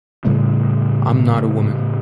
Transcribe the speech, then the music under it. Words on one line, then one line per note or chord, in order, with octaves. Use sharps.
I'm not a woman.
A2 C#3 G3 A3